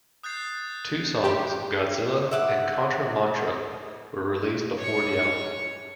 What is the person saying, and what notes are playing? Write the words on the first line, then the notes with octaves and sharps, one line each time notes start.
Two songs, "Godzilla" and "Contra Mantra", were released before the album.
D#6 F#6 G6 A6 C7
G4
E5 F#5 D6
C#5 C#6